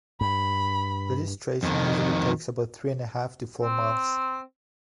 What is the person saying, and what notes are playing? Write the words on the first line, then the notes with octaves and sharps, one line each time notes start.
Registration usually takes about three and a half to four months.
G2 B5
F2 D#3
C4